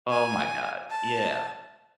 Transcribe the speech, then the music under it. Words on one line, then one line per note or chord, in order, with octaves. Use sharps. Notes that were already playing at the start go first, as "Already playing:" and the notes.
oh my god. Yeah.
G#5
A5